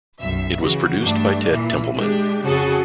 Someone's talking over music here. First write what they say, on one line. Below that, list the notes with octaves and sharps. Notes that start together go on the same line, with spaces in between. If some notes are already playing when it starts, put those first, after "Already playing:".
It was produced by Ted Templeman.
B1 F#2 E5
C#3 E3 F#4
G2 A3 D4
A#2 E3
G#3 D4 G4
F2 C#3 F#4 G#4 A4 F#5